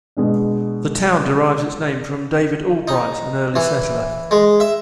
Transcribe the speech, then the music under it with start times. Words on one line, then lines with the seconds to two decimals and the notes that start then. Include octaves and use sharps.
The town derives its name from David Albright, an early settler.
0.17 B2 G#3 D4
2.88 D#4
3.56 E3
4.31 G#3
4.60 E5